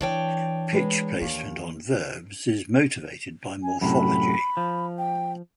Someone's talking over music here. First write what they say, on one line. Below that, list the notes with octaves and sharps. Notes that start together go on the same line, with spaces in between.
Pitch placement on verbs is motivated by morphology.
E3 D4 C#5 G5
G#3 B4
D#2 E3
G#5
F#2 A2 C3 B5
F3
G5